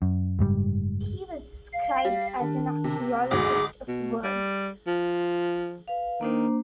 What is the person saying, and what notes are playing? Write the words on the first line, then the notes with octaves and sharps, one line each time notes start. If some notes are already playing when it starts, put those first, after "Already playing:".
He was described as an "archeologist of words".
F#2
F#1 G#2 G3
F5
G3
D#3 D4
C3
D2 G#2 F#3 G#4 D6
B2
G3
F3
B4 F5
D#3 A#3 D4 C5